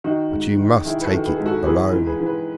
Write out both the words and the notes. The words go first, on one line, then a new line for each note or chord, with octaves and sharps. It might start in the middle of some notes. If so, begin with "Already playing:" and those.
But you must take it alone.
D#3 D#4 F#4
G#2
D#3
D#3 E4 G#4
B4
F#4 A4
D#3
G#4 B4
G#2 G#4
F#4 A4
E3 G#4 B4
E3
G#4 B4
E3
G#4 B4